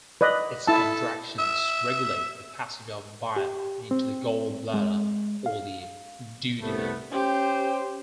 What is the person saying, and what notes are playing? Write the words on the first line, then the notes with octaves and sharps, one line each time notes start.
Its contractions regulate the passage of bile into the gall bladder or the duodenum.
B4 D5 D#5
E4 A4 A5
E5
G4
C4
G#3
F5
C2 A3 B3
C#4 G4 C5